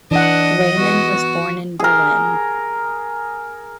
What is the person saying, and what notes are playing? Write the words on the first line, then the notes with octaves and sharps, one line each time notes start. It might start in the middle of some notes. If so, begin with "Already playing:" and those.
Reimann was born in Berlin.
E3 D4 D#5 F#5
B3 F#4
G#4 A#4